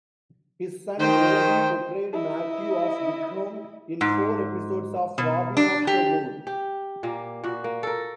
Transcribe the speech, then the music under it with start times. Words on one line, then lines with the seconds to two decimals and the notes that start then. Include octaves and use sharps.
His son Robbie portrayed Matthew of Wickham in four episodes of "Robin of Sherwood".
0.99 D#3 C5 G5
2.13 E4 D#5
4.01 G#2
5.18 B2
5.57 D4
5.87 G4
6.47 G4
7.03 A#2 A#3
7.44 A#2 F#4
7.64 A#3
7.83 A4 A#4